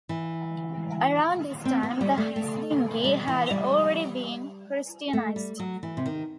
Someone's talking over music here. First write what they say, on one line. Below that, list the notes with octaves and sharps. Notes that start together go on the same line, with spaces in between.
Around this time, the Hasdingi had already been Christianized.
E3
C4
B3
G3
A3
A3
G3
E3
G3
A3
G3
F#3
E3
C3
D#3